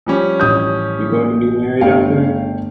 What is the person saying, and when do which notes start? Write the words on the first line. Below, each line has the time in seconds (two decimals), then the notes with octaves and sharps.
You going to be married out there?
0.06 F3 G3 C#4
0.40 A1 D#6 G6
1.81 G1 A3 F5 G5